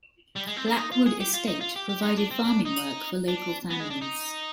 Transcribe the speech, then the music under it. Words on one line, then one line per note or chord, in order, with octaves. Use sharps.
Blackwood estate provided farming work for local families.
G3
G#3
C4
D4
D#4
F4
G#4
G4
F4
D#4
F4
G4
G4
D#4
D4
C4
D4
D#4
D4
B3
G#3
D4
D#4